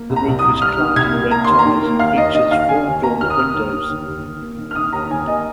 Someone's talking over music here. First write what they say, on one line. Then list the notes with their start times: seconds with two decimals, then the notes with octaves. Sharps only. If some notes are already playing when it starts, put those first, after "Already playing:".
The roof is clad in red tiles and features four dormer windows.
Already playing: A#3
0.09 C2
0.16 A#5
0.27 C2
0.39 D#6
0.45 C2
0.62 C2 F6
0.78 D#3
0.96 C2 G#6
1.13 A#3
1.30 A#3 A#5
1.44 D#2 C6
1.59 A#5
1.65 D#3
1.82 A#3
1.99 D#2 F5
2.16 D#2 D#5
2.34 D#3 D#5
2.51 D#2 F5
2.69 D#3 G#5
2.86 D#2
3.03 A#3 A#5
3.20 D#2 F6
3.30 D#6
3.38 D#3 F6
3.54 D#2
3.73 D#2
3.89 D#2
4.07 D#2
4.25 D#2
4.42 A#3
4.59 D#3
4.71 F6
4.75 D#3 D#6
4.92 D#2 A#5
5.10 D#2 G#5
5.27 A#3 D#5